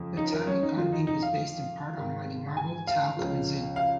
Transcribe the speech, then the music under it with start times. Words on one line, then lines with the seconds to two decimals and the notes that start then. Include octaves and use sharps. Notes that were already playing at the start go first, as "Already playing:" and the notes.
The town economy was based in part on mining marble, talc, and zinc.
Already playing: F2 C#3 F3
0.17 D#4
0.32 A#4
0.47 C#4
0.63 D#4
0.77 F2 D#3 F4
0.93 D#4
1.07 D#4
1.22 F5
1.97 G#2 D#3
2.57 G#5
2.87 F5
3.16 C#2 C#3 F3
3.76 F5